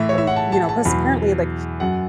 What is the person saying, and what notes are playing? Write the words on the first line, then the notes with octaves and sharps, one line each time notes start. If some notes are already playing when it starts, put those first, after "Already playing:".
um you know, 'cause apparently, like,
Already playing: A2 E3 E5
C#5
E5
F#5
A5
A5
A5
E2 B2 F#3 B5
F#2 F#3 F#5